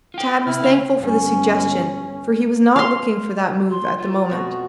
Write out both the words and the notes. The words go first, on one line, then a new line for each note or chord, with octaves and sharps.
Tad was thankful for the suggestion, for he was not looking for that move at the moment.
F4 G5
C3 B3 E4 F6
C#3 F5
G1 C#4
F5 C6
C6
F4
F2 B2 F#4